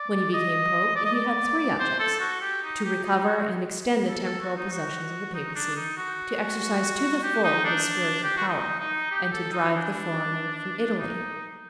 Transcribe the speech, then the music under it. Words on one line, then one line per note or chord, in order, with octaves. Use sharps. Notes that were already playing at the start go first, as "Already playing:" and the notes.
When he became pope, he had three objects: to recover and extend the temporal possessions of the papacy, to exercise to the full his spiritual power, and to drive the foreigner from Italy.
Already playing: D5
D#5
D5
D#5
D5
D5
C5
A4
F#4
G4
D#4
G4
D#4
F#4
A4
A4
F#4
D#4
F#4
D#4
D4
D#4
F#4
G4
D#4
D4
G4
F#4
D#4
D#4
G4
A4
D#4
D4
D#4